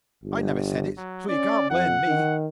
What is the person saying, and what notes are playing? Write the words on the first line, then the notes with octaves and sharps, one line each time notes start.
"I never said it--so you can't blame me."
G1
F#3
C#4 D5
F2 F#5
D#3